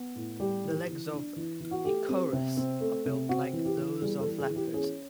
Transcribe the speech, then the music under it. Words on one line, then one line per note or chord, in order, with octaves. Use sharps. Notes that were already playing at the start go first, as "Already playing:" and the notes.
The legs of "Ekorus" are built like those of leopards.
Already playing: B3
A2
G3 G4
E3
E3
D4
E3
E3
F#4
A3 G4
C4
C3
C4
A3
C3
C4 F#4
E3
G4
E3
G3 G#4
A4
E3
G#4
E3
G4
C#4 G#4